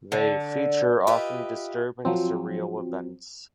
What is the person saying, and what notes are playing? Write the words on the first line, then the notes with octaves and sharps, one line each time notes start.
They feature often disturbing, surreal events.
D3
F4 G4 B4 D#5 E5
F3 F#3 C4